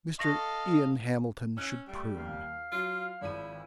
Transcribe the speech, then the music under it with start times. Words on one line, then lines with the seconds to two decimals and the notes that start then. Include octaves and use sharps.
Mr. Ian Hamilton should prune.
0.19 A4 D#5 F5 C#6 A#6
1.57 C#4 E6 F#6
1.88 G3 A3
2.17 D#2 F5
2.72 F#3 F4
3.21 G#1 F3 E4 D#7
3.51 D#3 E3 E4